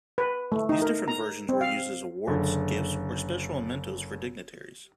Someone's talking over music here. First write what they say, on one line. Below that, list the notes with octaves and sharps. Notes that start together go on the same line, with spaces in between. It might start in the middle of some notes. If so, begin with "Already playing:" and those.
These different versions were used as awards, gifts, or special mementos for dignitaries.
B4
A3
D#4
A#4
A#5
C4
F5
F#1 D3